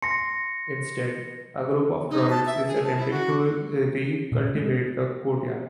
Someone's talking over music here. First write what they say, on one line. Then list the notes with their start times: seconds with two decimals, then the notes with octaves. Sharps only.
Instead, a group of druids is attempting to recultivate the courtyard.
0.02 C6 A#6 C#7
2.11 D#4
2.30 A5
2.46 E5
2.67 G#4
2.84 A5
2.98 E4
3.11 F#4
4.32 A#2
4.55 G#3